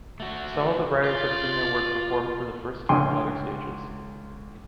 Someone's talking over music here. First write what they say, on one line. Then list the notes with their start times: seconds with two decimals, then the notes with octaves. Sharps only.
Some of the writers have seen their work performed for the first time on other stages.
0.20 A3 F#4
1.04 F4 D5
2.89 C#2 D3 G5 G#5 C6